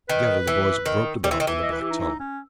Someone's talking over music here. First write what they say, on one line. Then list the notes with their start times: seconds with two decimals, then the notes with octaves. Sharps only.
Together the boys groped about in the black tunnel.
0.09 D#3 B4
0.47 E3
0.86 D#3
1.24 G3
1.31 E3
1.40 D#3
1.47 E3
1.63 D#5
1.72 B4
1.82 G4
1.90 D#4
2.01 D#4
2.19 C#4